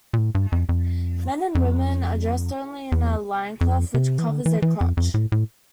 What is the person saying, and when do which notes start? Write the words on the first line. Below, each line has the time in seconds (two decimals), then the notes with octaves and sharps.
Men and women are dressed only in a loincloth which covers their crotch.
0.14 A#2
0.18 A2
0.35 G2
0.52 F2
0.69 F2
1.55 F2
2.92 E2
3.61 F2
3.94 C3
4.18 E3
4.28 D3
4.46 E3
4.62 E3
4.81 F2
4.97 F2
5.14 A2
5.32 A2